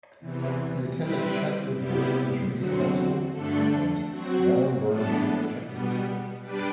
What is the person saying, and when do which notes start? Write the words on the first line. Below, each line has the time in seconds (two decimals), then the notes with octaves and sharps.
He attended Chatswood Boys Intermediate High School and Naremburn Junior Technical School.
0.19 E2 C3 E3
0.98 G3 C4 E4 G4 B4
1.75 C3 G3 B3 E4 G4
2.52 E2 D3 F#3 C4 F#4
3.30 G2 D3 A3 D4 A4
4.08 F#3 C4 F#4
4.86 A2 E3 B3 D4 A4
5.63 B2 G3 B3
6.41 G3 D4 G4 B4 D5